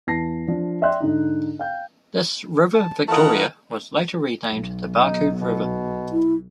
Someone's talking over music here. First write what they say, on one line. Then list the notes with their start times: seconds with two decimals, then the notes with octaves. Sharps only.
This "River Victoria" was later renamed the Barcoo River.
0.07 E2 E3 A5 A#6 C7
0.47 F3 D4
0.82 D5 E5 G5 C6 F#6
1.00 G#2 D3 D#4
1.59 F5 G5 G6
2.74 A5
3.08 E3 A3 F4 A#4 B4 D#5 F#5 A5
4.51 B1
5.01 D#4
5.41 B2
6.12 E4